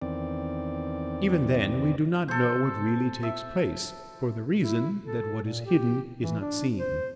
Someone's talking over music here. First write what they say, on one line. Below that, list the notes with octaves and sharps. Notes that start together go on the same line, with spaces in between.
Even then we do not know what really takes place, for the reason that what is hidden is not seen.
E2 D#3 C4 D5
A4 C5
E5
E4
A4
A#2
G4
E3
D4
C5